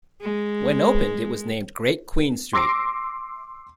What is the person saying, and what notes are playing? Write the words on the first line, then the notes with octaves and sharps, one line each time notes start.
When opened it was named "Great Queen Street".
G#3
C6 D6 E6 A#6 C7 D7